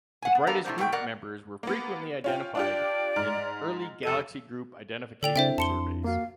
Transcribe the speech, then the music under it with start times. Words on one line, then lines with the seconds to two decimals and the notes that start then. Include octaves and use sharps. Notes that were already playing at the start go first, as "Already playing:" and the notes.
The brightest group members were frequently identified in early galaxy group identification surveys.
0.22 F#5 G#5
0.35 B3
0.47 B3 D4 A4 A#4 F5 A#5
0.65 A2 C3 B3 D4 C5
0.78 G#2 B2 A3 A4 G5
0.92 B2 A#4 D5 F#5
1.63 A#3 B3
2.24 C#4 F4 G5
2.55 D4 F4 G4 D5
3.16 G#2 F6
4.03 F1 A4 D#7
5.23 D3 A4 D5 G5 F7
5.36 C#3 C4 D4 E4 C5 E5 G5
5.58 F2 A5 C6 C#7 G7
6.04 A#3 F#4 F5